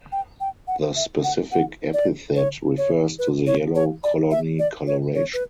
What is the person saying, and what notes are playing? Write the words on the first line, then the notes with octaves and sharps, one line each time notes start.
The specific epithet refers to the yellow colony colouration.
G5
G5
F#5
E5
F#5
F#5
D5
C#5
C#5
B4
C#5
C#5
D5
E5
D5
C#5
C#5
B4